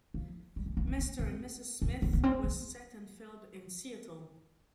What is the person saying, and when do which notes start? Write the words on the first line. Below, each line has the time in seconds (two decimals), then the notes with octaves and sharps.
"Mr. and Mrs. Smith" was set and filmed in Seattle.
0.14 F3
0.56 G3
0.66 G#3
0.77 A#3
0.87 A#3
0.98 B3
1.19 C4
1.82 C4
2.02 B3
2.13 B3
2.23 C4
2.44 B3